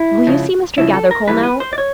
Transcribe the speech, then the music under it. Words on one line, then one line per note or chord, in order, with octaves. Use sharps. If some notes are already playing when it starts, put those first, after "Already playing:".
"Will you see Mr. Gathercole now!"
Already playing: E4
C#2 C#3 F3
C#2 C#3 F3 E4
A4
A#4
G#2 E3 G3 B4
B4
C5
D5
C#5